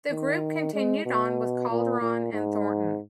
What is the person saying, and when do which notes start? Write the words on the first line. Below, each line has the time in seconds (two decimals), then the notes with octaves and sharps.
The group continued on, with Calderon and Thornton.
0.11 D#3
0.74 G#3
1.05 B2
1.70 A#2
2.01 A#2
2.33 G#2